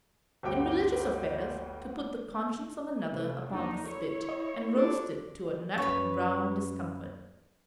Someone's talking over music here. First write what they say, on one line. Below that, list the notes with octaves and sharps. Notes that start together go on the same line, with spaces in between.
In religious affairs, to put the conscience of another upon the spit and roast it to a nut-brown discomfort.
G1 D2 F#4 G4 G5 D6
C3 A3
E2 A#3 D4 D#4
E4 C#5 C#6
D#5 E5
D4 G4 A4
F#2 B4 C#5